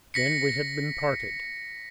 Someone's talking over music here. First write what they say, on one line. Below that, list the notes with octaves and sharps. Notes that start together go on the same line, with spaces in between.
Then we had been parted.
A#6 B6 C#7